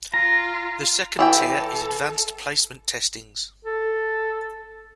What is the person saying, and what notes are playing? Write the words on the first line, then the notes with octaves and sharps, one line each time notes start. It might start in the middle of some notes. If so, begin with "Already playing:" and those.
The second tier is advanced placement testings.
F4 A#5
E3 A4 E5 G5
A4